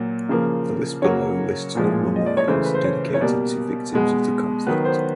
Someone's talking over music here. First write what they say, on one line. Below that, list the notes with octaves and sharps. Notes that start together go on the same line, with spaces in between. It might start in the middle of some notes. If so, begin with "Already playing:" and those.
The list below lists all memorials dedicated to victims of the conflict.
Already playing: A#2 F#3 A#3
C#3 F3 A#3
C#3 F#3 A#3 C#5
A#2 F3 G#3
D#5
D5
C#5
C#3 E3 A3 C5
B4
C5
C#5
C#5
B2 G3 A#3 D5
B2 G#3 B3
D#3 F#3 B3 B4
C5